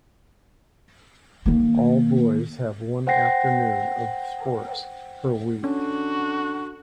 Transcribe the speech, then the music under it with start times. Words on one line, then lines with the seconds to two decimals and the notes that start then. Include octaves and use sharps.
All boys have one afternoon of sports per week.
1.46 D#3 A#3
3.07 C5 F#5 G5 A#6 C7
5.64 D3 C#4 F#4